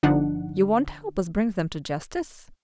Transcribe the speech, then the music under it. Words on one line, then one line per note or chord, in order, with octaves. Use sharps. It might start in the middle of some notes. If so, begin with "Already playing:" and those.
"You won't help us bring them to justice?"
G1 D3 F3 D4 D#4 F#5